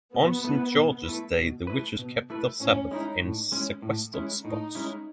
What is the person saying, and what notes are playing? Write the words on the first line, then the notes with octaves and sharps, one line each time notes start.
On St. George's Day the witches keep their sabbath in sequestered spots.
B2 B3
A3 E4 B4
B2
A3 E4 B4
B2
A3 E4 B4
B2
A3 E4 B4
A2 C#4
G#3 C#4 D#4 E4
A2
G#3 C#4 E4
A2
G#3 C#4 E4
A2 D#4
G#3 C#4 E4